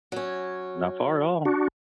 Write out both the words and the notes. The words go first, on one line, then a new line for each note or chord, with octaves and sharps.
not far at all.
F#3 C#4
D4 F#4